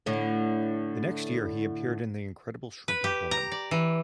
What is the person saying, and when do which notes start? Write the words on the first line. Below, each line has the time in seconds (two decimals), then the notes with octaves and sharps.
The next year, he appeared in "The Incredible Shrinking Woman".
0.06 A2 D3
2.88 B4
3.04 G4
3.31 A#5
3.52 D5
3.71 E3